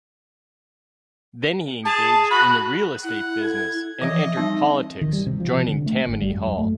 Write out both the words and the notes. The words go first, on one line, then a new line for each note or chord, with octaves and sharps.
Then he engaged in the real-estate business, and entered politics, joining Tammany Hall.
G#4 A5
F#4 B5
E4 F#5
A4 G#6
E3 F3 D#5 E5
G3 C4 D#4
D#3
G3
C3
F3
C3
D3
A3
G#1
G3
F#2
F#2
A3